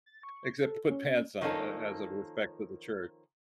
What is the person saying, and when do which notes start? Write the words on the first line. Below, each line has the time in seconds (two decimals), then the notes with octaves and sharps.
except to put pants on a as a respect for the church
0.06 A6
0.23 C#6
0.61 A4
0.90 C#4
1.41 D#3 F3 A#3 C#4 D#4 A4